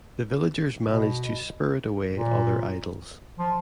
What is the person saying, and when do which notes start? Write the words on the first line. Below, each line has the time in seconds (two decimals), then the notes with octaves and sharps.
The villagers managed to spirit away other idols.
0.84 B2
2.16 A#2
3.39 F3